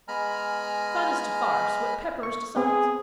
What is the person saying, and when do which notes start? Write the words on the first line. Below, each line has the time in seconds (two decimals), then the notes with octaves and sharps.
Fun is to farce what pepper is to salt.
0.08 G#3 B3 G#5 A#5 B5 F6
2.23 C#6
2.56 B3 C4 G#4